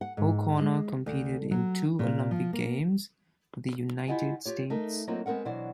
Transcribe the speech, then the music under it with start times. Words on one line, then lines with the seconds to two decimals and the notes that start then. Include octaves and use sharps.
O'Connor competed in two Olympic Games for the United States.
0.01 F#5
0.17 G#2
0.60 G#3
1.06 D2
1.51 F#3
1.99 A#2
2.31 F3
2.53 A#3
4.08 E4 F4 G4 D#5 F#5 G#5
4.46 F4 G4 C#5
4.70 A3 D#4 A#4
5.07 F#3 A#3 C4 D#4 F4 A#4
5.26 G#3 B3 C4 A#4 F#5
5.45 B2 E3 F#3 D4 C5 D5